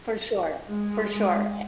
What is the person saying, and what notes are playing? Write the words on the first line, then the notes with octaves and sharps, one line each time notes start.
For sure, for sure.
G#3